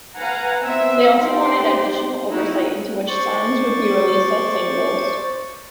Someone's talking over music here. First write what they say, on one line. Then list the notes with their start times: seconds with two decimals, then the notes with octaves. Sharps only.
They also wanted additional oversight into which songs would be released as singles.
0.15 B4 F5 F#5 G#5 A#5
0.60 B3 C4 E5
1.18 D#4 G4 C5 D5 G5 C6
2.30 D#4 E4 F#4
3.08 C5 D5 C#6 A6